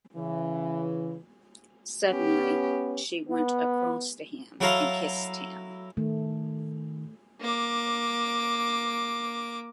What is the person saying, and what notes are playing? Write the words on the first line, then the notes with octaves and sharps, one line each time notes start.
Suddenly she went across to him and kissed him.
C#3 E3
B3 C#4 G4
B3
F#3 E4 A4 F5 A#5 C6
D#3 A3
A#3 D6